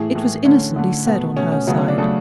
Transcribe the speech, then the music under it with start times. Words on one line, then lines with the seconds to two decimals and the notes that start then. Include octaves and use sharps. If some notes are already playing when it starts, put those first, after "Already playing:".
It was innocently said, on her side.
Already playing: A2 E3 A3 G#4
0.15 A2 E3 A3
0.45 D3 A3 C#4
0.76 D3 A3
1.06 B2 A3 B3
1.36 B2 A3 C#4
1.52 C#4
1.67 C#3 F#3 A3 B3
1.77 C#4
1.88 D4
1.98 C#3 F#3 A3 A4